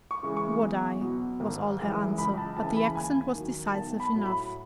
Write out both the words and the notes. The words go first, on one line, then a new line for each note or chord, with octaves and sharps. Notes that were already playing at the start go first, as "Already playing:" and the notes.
"Would I!" was all her answer; but the accent was decisive enough.
C#6
C#3 E3 G#3
C#6
E2
B2 F#3
G#1
F#2 E3 G#3
C#2 B5
A5
C#3 E3 A5
B5
D#2 G#5
D#3 F#3
B1 A5
B5
A2 F#3
B5